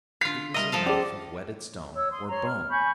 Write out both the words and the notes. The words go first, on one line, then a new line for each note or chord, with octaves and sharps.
It was a knife of whetted stone or bone.
D3 F4 F5 B6
G3 A#4 D#5 E5
F3 A4 F5
C#4 G#4 D5
C#5 E6
C6 D#6
C#5 A#5 C6
F6
G#5 B5 C#6 G6